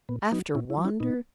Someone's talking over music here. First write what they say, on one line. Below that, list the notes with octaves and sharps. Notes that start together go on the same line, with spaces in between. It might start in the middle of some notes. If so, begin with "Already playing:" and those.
After Wander?
A#2 B3
F#3 B3 D#4
A#2 C#4 E4
C#4 E4
F#3
C#4 E4
A#2 B3 D#4